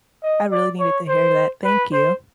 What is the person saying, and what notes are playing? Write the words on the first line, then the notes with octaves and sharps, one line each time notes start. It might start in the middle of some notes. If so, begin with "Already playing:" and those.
I really needed to hear that. Thank you.
D#5
D5
C#5
C5
B4
C5